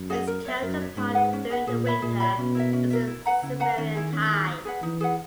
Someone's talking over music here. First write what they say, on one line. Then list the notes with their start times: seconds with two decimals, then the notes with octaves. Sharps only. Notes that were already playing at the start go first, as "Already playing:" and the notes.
Its counterpart during the winter is the Siberian High.
Already playing: F#2
0.10 G#4 D#5 F#5
0.27 A#4
0.45 C#5 E5
0.62 F#2 A#4
0.80 C#5 E5
0.97 G#2 C#4
1.15 G#4 B4 F#5
1.33 C#4
1.50 G#4 B4 F#5
1.67 A#2 G#4
1.85 C#5 E5 B5
2.02 A#2 G#4
2.20 C#5 E5 B5
2.38 B2 C#4
2.55 E4 A#4 E5
2.73 C#4
2.90 E4 A#4 E5
3.07 E4
3.25 B4 F#5 A#5
3.42 C#3 E4
3.60 B4 F#5 A#5
3.77 D#3 C#4
3.95 E4 G#4
4.13 C#4
4.31 E4 G#4
4.47 D#4
4.65 G#4 B4 F#5
4.83 E3 D#4
5.01 G#4 B4 F#5